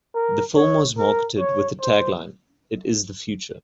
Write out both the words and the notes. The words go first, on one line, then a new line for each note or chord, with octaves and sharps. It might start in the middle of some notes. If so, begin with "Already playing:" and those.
The film was marketed with the tagline It is the future.
A#4
C#5
A#4
C#5
C5